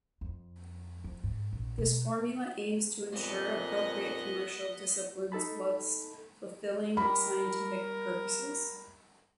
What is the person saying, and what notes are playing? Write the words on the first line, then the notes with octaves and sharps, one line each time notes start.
This formula aims to ensure appropriate commercial disciplines whilst fulfilling scientific purposes.
F2
F3
G#2
A#1
B2
F2 A#2 B3 D#5
D#4 A4 A5 B5
G3 A#4 B5